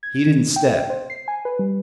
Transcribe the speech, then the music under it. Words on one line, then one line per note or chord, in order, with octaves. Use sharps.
He didn't step.
G#6
D#3
G5
C5
C7
G#5
B4
G3